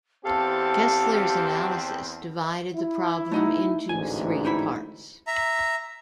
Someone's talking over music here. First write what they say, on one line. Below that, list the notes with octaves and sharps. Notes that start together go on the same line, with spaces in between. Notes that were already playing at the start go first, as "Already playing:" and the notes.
Kessler's analysis divided the problem into three parts.
E2 C4 G4 A4 F5 A5
E4
A3 D#4 F#5
A1 D2 G#2 G#5
D#4 E4 B5
E5 A#5